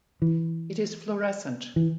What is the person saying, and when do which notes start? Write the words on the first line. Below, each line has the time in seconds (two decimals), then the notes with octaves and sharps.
It is fluorescent.
0.22 E3
1.76 E3